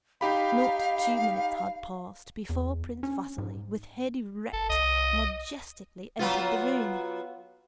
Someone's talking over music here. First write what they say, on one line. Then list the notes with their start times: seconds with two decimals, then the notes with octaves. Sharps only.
Not two minutes had passed before Prince Vasili with head erect majestically entered the room.
0.21 D#4 G4 F5 B5
2.49 E2
3.03 C#4
3.38 G#2
4.53 F#1 A4
4.70 C2 D#5
6.19 F#3 B3 F4